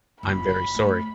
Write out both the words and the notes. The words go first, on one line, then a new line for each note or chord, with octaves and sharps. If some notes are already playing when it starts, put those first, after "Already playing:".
I’m very sorry.
F#1 F4 B5
A3